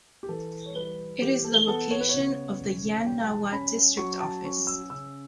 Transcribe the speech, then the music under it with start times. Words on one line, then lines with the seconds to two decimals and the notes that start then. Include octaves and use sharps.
It is the location of the Yan Nawa District Office.
0.23 G4
0.29 E3 A4
0.66 C#5
0.75 G3 B4
1.22 E3 G4
1.44 A4
1.68 B3 A4
1.91 C#5
2.01 B4
2.09 C#3 C#5
2.60 E1
3.06 G3 G5
3.24 G5
3.29 A5
3.52 C#4 B5
3.97 F#3 C#6
4.20 A5
4.44 C#4 C#6
4.67 E6
4.90 C#3 E6